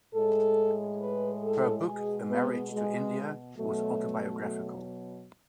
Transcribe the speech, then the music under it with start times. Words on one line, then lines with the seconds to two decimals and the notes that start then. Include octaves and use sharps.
Her book "A Marriage to India" was autobiographical.
0.14 A2 G#3 A4
1.00 B4
1.43 A4
1.86 B2 G#3 G#4
2.29 B3
2.72 G#3
3.57 B2 F#3 A3